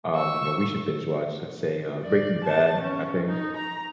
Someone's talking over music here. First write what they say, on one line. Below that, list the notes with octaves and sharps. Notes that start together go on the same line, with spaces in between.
um or we should binge watch, let's say, uh, Breaking Bad, I think.
C#6 E6
D5
A5
C#4
D#4
A#5